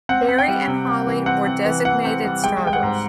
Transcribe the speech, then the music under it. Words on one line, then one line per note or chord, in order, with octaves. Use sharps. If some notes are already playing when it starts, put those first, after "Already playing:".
Berry and Hali were designated starters.
C4 F#5
C4
G5
G3
C3
G3
E3
C4 F#5
C4
E3
E3 F#5
C4
G3
G#3 G5
G#3 G5
F#5
G#2